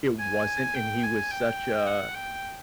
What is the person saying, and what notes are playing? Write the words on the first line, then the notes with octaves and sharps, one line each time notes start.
it wasn't, and he was such a
G#5
G5
G#5
G5
F#5
G5